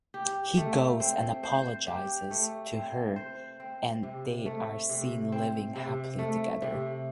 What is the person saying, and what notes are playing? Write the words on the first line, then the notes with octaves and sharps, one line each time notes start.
He goes and apologises to her and they are seen living happily together.
G4
A3
C4
C5
G4
A3
C4
C5
C4
C3
A3
C3
C4
C3
A3
C3